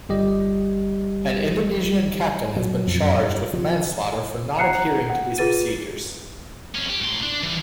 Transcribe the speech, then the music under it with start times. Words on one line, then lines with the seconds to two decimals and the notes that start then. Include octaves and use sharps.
An Indonesian captain has been charged with manslaughter for not adhering to these procedures.
0.09 G1 G3 G4 D#5
2.56 F#3
2.87 F2
3.02 F#2
3.17 G2
3.54 F3
4.59 F#5 A#5 F#6 C7 C#7
5.10 F#5
5.38 F4 G#4 B4 A6 D#7
6.75 F2 C#4
6.89 G4
7.01 A2 C6
7.23 D4
7.43 E3 G3